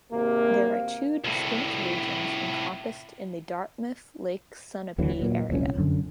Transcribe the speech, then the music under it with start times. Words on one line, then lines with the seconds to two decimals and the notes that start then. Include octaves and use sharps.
There are two distinct regions encompassed in the Dartmouth-Lake Sunapee area.
0.12 G#1 C3 A#3
1.24 C2 A2
4.98 D#2 D3 E3 F#3
5.19 A#2 F#3
5.50 D#1 C2 F2 C#4
5.77 F#2 D3